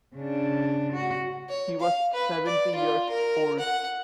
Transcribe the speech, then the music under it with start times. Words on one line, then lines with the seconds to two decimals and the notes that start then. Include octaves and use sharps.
He was seventy years old.
0.16 C#3 D4
0.93 F#4
1.49 C#5
1.80 F5
2.13 B4
2.46 D5
2.75 F4
3.10 A#4
3.59 F#5